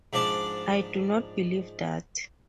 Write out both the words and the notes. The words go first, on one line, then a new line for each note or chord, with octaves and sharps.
I do not believe that.
G#2 F3 D4 D5 A5